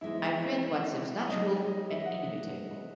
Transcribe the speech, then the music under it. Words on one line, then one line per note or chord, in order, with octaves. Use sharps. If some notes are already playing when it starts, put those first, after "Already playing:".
I create what seems natural and inevitable.
G#2 E3 G#3 B3 E4
F#3 A#3 D#4 G#4 C#5 D#5
E5
F#5